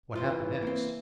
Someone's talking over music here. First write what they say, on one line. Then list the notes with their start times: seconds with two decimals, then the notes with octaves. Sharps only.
"What happened next?"
0.15 E3 F4 C5
0.62 A#3 C4